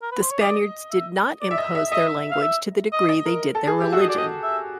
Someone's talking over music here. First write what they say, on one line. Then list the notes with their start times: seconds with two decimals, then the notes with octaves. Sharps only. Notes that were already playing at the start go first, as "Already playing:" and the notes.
The Spaniards did not impose their language to the degree they did their religion.
0.02 A#4
0.12 B4
0.21 C5
0.31 C#5
0.41 D5 D#5
0.91 E5
1.41 D5
1.51 E5
1.58 D#5
1.75 E5
1.92 D#5 E5
2.31 F5
2.42 E5
2.92 D#5
3.09 D#5
3.25 A#4
3.55 A4
3.67 G#4
3.80 G4
3.92 F#4 E5
4.01 D#5
4.09 D5
4.18 D#5
4.43 E5